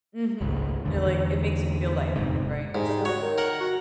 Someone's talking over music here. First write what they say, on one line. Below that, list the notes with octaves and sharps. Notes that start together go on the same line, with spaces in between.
Mhm, it, like, it makes you feel lighter, right? So
G#1 C#2
E2 D3
F1 G#2 C3
G#2 G3
G3
F#4 C#5
D#3
A#4 F#5
F#4